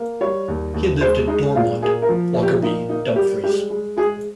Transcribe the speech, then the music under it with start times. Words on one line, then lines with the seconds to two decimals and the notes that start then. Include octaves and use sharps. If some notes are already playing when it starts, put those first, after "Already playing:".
He lived at Dormont, Lockerbie, Dumfries.
Already playing: A#3
0.21 G3 C#5
0.48 D#2
0.74 D#2
1.01 G#3 C5
1.27 G#3 D#4
1.55 A#2 F4
1.82 A#3 G#4
2.02 A#4
2.09 F3
2.36 A#2
2.43 G4
2.62 A#3 D#4
2.89 A#3 D#4
3.16 G3 G4
3.43 G#3 G4
3.70 G#3
3.97 G#3 G#4